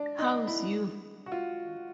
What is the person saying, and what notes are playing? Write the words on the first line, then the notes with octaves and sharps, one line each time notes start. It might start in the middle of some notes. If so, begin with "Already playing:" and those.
Hows you?
Already playing: D4
D#4
E4
F#4
F4